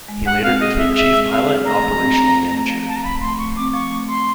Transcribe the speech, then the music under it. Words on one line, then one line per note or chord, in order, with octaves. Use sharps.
He later became Chief Pilot and Operational Manager.
G#3
G#3 F#5
C4 F5
G#4 D#5
C4 E5
G#4 E5
G#3
C4 F5
G#4
A3 A#5
F3
C4
C4
F3
A3
F3
F3 A5
A#5
F3 B5
A3 C6
A3 C#6
C4 D6
F3 C#6
A3
F3 C6